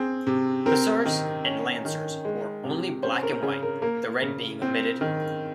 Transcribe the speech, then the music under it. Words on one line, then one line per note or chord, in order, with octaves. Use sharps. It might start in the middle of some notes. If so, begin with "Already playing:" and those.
Hussars and lancers wore only black and white, the red being omitted.
Already playing: C4 G#4
C3
C4 A#4
D#3
C#4
D#3
G#3
C3
C#4 C5
A#4
C#3 G#4
A#4
A#3 A#4
C#3
C4
D#3